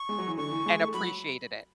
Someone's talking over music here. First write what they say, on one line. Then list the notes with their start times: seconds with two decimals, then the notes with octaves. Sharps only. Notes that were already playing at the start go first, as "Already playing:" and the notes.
and appreciated it.
Already playing: C#6
0.09 G#3
0.19 F#3
0.28 E3
0.37 D3 C#6
0.52 E3
0.66 G#3
0.80 A3
0.94 F#3 B5